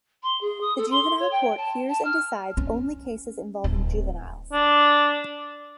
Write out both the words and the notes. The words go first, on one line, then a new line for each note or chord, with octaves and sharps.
The Juvenile Court hears and decides only cases involving juveniles.
C6
G#4
D#6
A4
C6
C#5
G5
A5
A5
F6
C#4
D1
D4